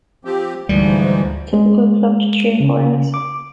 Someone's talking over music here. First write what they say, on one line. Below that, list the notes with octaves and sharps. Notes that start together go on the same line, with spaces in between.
The typical clutch is three or four eggs.
F3 C4 G4
D2 G#2 E3 F3 G3
G#3
C#3
D6